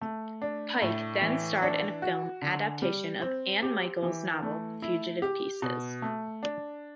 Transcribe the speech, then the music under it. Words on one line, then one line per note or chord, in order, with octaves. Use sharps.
Pike then starred in the film adaptation of Anne Michaels's novel "Fugitive Pieces".
A3
D4
A2
E3
D4
F#4
D3
G3
C4
G4
E3
A3
E4
G4
B2
A3
D4